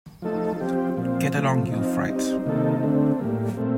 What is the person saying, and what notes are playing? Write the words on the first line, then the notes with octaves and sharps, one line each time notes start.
Get along, you fright!
F3 A3 D#4 A4
F3 C4 G4
A#2 F3 C4
C3 F3 A3
F3 C4 D#4
G3 C4 D#4
C3 D#3 A#3 D#4 A4
D3 A3 C4
A2 G3 A#3
A#2 A3 C4